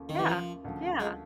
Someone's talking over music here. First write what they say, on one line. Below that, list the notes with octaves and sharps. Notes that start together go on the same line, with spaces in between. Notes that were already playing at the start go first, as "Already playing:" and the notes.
Yeah. Yeah.
Already playing: D#2 C#3 F3 A3
D#3
E3
F3
D2 C#3 F3
G#3